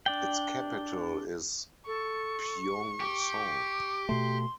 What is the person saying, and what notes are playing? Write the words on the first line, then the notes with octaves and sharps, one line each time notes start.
Its capital is Pyongsong.
D4 D5 G5
A4 C#6
G4 D6
B2 A3 C6